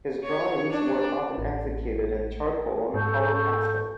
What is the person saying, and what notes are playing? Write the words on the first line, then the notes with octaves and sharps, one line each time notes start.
His drawings were often executed in charcoal and colour pastels.
C#5
D4
A1
G#2 A4 C#6 G6